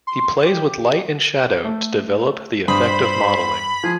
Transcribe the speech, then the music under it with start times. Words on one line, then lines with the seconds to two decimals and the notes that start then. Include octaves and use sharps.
He plays with light and shadow to develop the effect of modeling.
0.07 C6
0.45 G4
1.65 A3
2.68 G2 C5 B5 D#6
3.84 F3 G#4